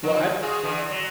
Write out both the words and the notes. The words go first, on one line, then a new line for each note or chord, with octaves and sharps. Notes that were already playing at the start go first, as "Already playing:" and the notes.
Well, I've
F3
F4 F#4 G#4
D3 E3
F#3